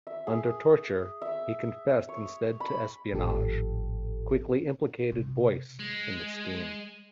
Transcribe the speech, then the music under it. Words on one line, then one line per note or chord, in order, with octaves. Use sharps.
Under torture he confessed instead to espionage, quickly implicating Boyce in the scheme.
E5
G#4
E5
C#5
B5
G#1 A2 F3 G4 A4
C3
G#3